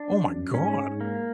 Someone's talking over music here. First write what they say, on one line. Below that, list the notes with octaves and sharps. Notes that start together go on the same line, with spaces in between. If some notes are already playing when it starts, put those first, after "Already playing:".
Oh my god."
Already playing: D4
F#2
G#2 C#4
G#2
A#3